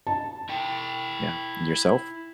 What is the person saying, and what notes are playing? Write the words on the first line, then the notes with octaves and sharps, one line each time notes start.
Yeah, and yourself?
A5
E4 G5